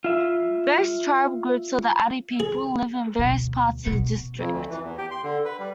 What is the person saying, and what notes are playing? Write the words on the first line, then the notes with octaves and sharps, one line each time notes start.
Various tribal groups of the Adi people live in various parts of the district.
F4 E5
G#4
D2 B2
B2
F2
D2
E3
E2
G4
C6
D3
B4
G3